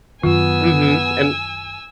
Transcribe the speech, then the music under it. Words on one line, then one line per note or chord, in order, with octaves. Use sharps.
Mhm, and
F#2 D#3 B3 F4 G#5 E6